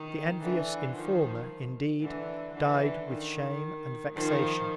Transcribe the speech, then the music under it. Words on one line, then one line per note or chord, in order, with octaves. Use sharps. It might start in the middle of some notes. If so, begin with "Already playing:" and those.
The envious Informer indeed, died with Shame and Vexation.
Already playing: D#3
D3 E3
D#3 F3
D3 E3
D3 E3
D#3
D#3 F3